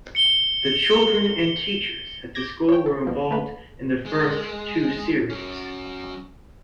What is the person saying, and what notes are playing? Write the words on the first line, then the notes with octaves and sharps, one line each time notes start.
The children and teachers at the school were involved in the first two series.
C#7 G7
D6 G6 G#6 A#6
C#5 G5
A4
A#1 B2 F3
A3 A#3 B4
G#3
F#3 C#4